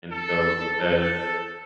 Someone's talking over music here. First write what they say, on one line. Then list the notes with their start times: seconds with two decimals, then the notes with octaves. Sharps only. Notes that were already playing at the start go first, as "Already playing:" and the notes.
And so, because,
0.12 A4
0.79 A4